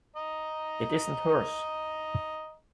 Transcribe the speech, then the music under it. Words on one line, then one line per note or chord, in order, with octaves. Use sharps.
It isn’t hers!
D#5 A#5